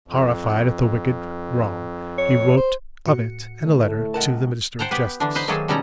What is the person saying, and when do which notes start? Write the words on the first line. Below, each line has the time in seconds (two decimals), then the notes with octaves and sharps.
Horrified at the wicked wrong, he wrote of it in a letter to the Minister of Justice.
0.08 F2
2.18 C#5
2.57 C5
3.07 A2 F#4 C#7
3.63 A2 D3 A3
4.14 C#2 A#4 F#5 A5
4.79 C5 F#5 G5 A5 A#5
4.91 B3 G4 B4
5.20 D3 E3 D4
5.35 D#4 B4 C5
5.48 D#3 F#3 A3 A#3 G#4 A4
5.68 B2 G3 C#4 D#4 A4 A#5